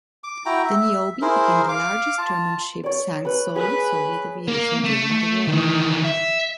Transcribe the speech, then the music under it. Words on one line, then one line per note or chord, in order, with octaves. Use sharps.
The Niobe became the largest German ship sank solely Soviet aviation during the war.
D6
E4 F#4 G5 A#5
E5
E4 G#4 A#4 C5
F5 D6
F4 A5
C#5 D5
B4 B5
G#4 B4
A#3
A3
A3
D#3 E3
E5